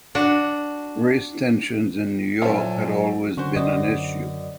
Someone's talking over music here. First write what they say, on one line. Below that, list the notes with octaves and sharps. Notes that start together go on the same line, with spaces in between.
Race tensions in New York had always been an issue.
D4 F#4
A#2 F#3 C#4 E4 F4 A4 C5 G#5
D3 C#4 F#4 C5
F#2 D5 D#5